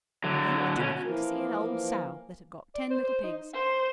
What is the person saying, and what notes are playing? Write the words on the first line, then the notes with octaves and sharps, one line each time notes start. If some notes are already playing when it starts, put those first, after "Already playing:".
Then I took them to see an old sow that had got ten little pigs.
D3 F#3
B2 C#4
E3 F3 A#3 A#4
D5
C5
C5
D#4
C5